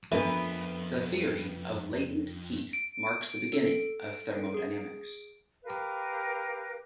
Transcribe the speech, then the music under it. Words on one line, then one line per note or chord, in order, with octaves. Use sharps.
The theory of latent heat marks the beginning of thermodynamics.
F2 E3 B3 D4 A#4 B4 E5
D7
A4
G#4
G4 A#4 B4 F5